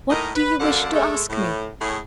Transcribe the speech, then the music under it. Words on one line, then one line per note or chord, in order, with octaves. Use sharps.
"What do you wish to ask me?"
A2 A#3 D#4 A#4 D#5
B4
F#2 D3 A#3 A4 F#5
G#3 A3
A2
A2 G#4